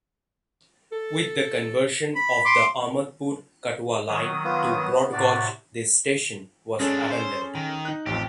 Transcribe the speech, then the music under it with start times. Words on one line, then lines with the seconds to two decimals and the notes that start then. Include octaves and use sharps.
With the conversion of the Ahmadpur–Katwa line to broad gauge this station was abandoned.
0.92 A4
2.16 B5
2.45 C6 D6
4.08 D#3 F#3 D#6
4.44 B3 F4
4.76 B3
5.12 A2 C3 F#4 D5
6.80 G#3 C#4 D4 G#4 A4
7.10 C5
7.55 D#3
7.85 D#4 F#6
8.06 A1 F2 G4